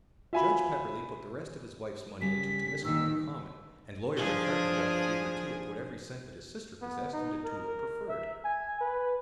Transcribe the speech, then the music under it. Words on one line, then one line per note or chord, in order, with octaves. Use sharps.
Judge Pepperleigh put the rest of his wife's money into Temiskaming Common, and Lawyer Macartney got the fever, too, and put every cent that his sister possessed into Tulip Preferred.
F4 F#4 E5 G#5 B5
C#3 G3 B6
A#2 D#3 E6
F3 D4 G#4
B3
D#4
A#4
E5
G#5
B4